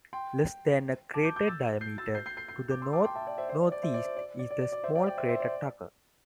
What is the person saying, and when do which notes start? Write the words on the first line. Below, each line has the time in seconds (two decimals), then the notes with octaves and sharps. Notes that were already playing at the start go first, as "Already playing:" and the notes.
Less than a crater diameter to the north-northeast is the small crater Tucker.
0.13 G5 C6
1.14 A5 D6
1.25 D6 G6
1.36 D6 G6
1.47 E6 A6
1.81 G6 C7
1.98 E6 A6
2.15 G6 C7
2.26 G6 C7
2.37 G6 C7
2.48 G6 C7
2.71 D6 G6
2.82 C6 E6
2.93 A5 D6
3.04 G5 C6
3.15 E5 A5
3.27 D5 G5
3.38 C5 E5
3.49 C5 E5
3.61 D5
3.72 D5
3.83 C5 E5
3.94 D5
4.05 C5
4.17 D5
4.39 D5
4.51 D5
4.61 D5
4.72 D5
4.84 C5 E5
4.95 D5 G5
5.06 D5 G5
5.17 C5 E5
5.29 C5 E5
5.40 D5